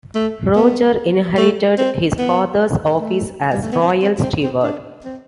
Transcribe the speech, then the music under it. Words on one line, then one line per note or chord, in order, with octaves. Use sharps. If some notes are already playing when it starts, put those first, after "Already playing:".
Roger inherited his father's office as royal steward.
A3
B3
A3
C4
B3
A3
G3
A3
B3
C4
C4
C4
C4
D4
C4